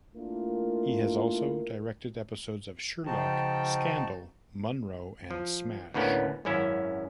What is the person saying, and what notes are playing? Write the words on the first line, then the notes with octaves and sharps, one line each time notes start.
He has also directed episodes of "Sherlock", "Scandal", "Monroe" and "Smash".
A3 A#3 D4 E4 F4 A#4
C#3 F3 D#4 F#4 G5 A5
F3
D2 A2 A#3 B3 C#4
G#1 F#2 C#4 E4 E5 F5